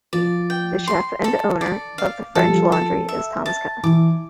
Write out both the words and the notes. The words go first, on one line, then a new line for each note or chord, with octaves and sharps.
The chef and owner of the French Laundry is Thomas Keller.
F3 D5
G5
C6
A4
D5
F5
F3 A4
G3
F3
A4
E5
A5
E3 D6